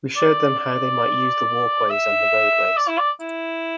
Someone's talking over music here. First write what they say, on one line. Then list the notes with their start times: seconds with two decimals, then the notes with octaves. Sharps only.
We showed them how they might use the walkways and the roadways.
0.16 D5
0.59 D5
1.90 E5
2.77 D5
2.88 E4
2.98 D5
3.20 E4